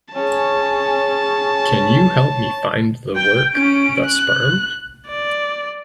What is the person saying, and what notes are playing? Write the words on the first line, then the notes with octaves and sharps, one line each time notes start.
Can you help me find the work, The Sperm?
C#4 G#4 C#5 A5
G5 G6
C#4 D7
F#6
D5